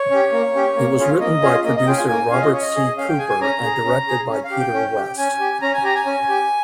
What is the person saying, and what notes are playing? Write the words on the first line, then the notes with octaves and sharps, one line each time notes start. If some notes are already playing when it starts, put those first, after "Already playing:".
It was written by producer Robert C. Cooper and directed by Peter Woeste.
Already playing: C#5
C#4 G4
A#3
C#4 G4
A#3
C#4 F4 G#4
A#3 D#5
C#4 F4 G#4
A#3 D#5
D#5
C#4 F4 G#4 G5
G#5
A#3 G#5
C#4 F4 G#4 F5
D#5
C#4 C#5
D#5
G#4
C#4 F5
G5
G#4 G#5
G#5
C#4 A#5
G#4
C#4
G#4
C#4
F5
G4
G5
C#4
G4
C#4 G#5
G4
C#4 A#5
G#5
G4 A#5
G#5
C#4
G4